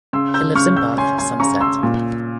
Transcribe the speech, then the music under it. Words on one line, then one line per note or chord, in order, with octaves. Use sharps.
He lives in Bath, Somerset.
C#3 C6 E6
E6 G6
C#3 C#6 F6
E6 G6
C#4 G#5 C6
G#5 C6
C#3 A#5 C#6
C6 E6
A#2